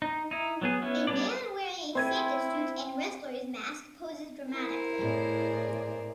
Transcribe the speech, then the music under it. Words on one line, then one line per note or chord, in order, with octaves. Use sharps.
A man wearing a Santa suit and wrestler 's mask poses dramatically.
D#4
D#4 E4
F#3 B3 G#4
B3 C#4 E4
G3 B3 C#4 D4 D5
C4 E4 C5 G#6 D#7
E4 A#4 C5
A2 G#4 D5